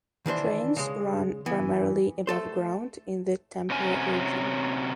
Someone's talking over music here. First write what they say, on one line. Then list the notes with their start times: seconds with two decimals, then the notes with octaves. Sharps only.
Trains run primarily above ground in the Tampere region.
0.26 D#3 E3 D4 C5
0.76 C#3 G#3
1.46 E3 B3
2.27 A3 A4 C5
3.70 C3 F#3 C#4 G#5